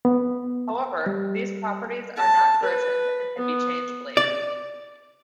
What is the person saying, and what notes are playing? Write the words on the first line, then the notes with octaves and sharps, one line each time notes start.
However, these properties are not versioned and can be changed later.
B3
G3
A5
B4
B3
D5